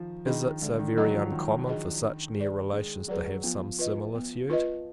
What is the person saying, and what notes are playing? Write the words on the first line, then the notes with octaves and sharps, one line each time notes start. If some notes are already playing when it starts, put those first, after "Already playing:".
Is it so very uncommon for such near relations to have some similitude?
Already playing: D#3 F3
D#3 D4 G#4 D#5
D3 G#3
D#3
F#3 D4 G#4 D#5
F3
D#3 G#3
D4 G#4 D#5
D4
G#4 B4 D5
G#3 D4
F#3 G#4 B4 D5
F3 B3
F4 B4 D#5
B3
F4 B4 D#5